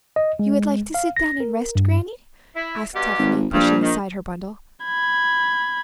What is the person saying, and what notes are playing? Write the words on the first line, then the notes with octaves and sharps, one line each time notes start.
'You would like to sit down and rest, granny?' asked Tephany, pushing aside her bundle.
D#5
G#3
F5
A#6
A#4
G2
E4
G2 B2 G4
G#1
A#1 G2
D#3
B5 G#6